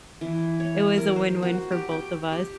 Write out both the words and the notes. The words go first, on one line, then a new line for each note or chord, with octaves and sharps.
It was a win-win for both of us.
E3
C#5
A#4
C5
F#4
G4
G5
G4